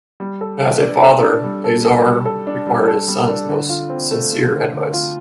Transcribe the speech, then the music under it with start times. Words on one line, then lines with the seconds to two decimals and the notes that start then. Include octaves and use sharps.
As a father, Azar required his son's most sincere advice.
0.20 G3
0.41 A4
0.61 A4
0.81 D4
1.03 A4
1.22 D4
1.44 G3
1.64 A4
1.85 A4
2.05 G3
2.25 A4
2.47 D4
2.67 G3
2.88 A4
3.08 G3
3.29 D4
3.49 D3
3.69 F4
3.89 C4
4.11 A3
4.31 A3
4.51 D3
4.73 D3
4.93 F4